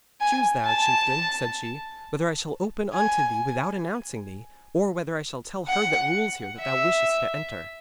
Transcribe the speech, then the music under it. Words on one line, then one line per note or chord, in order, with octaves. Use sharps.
'Choose thou, chieftain,' said she, 'whether I shall open unto thee without announcing thee, or whether I shall tell her that rules here that thou wishest to enter.'
G#5
A5
G#5
F#5
E5